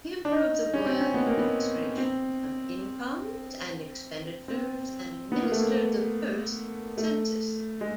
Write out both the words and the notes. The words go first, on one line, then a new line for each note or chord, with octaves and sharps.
He improved the royal administration, of incomes and expenditures, and administered the first census.
D4
D#4
C#4
C4
C#4
B3
A#3
B3
C4
C4
B3
A#3
A3
A#3
A3
G#3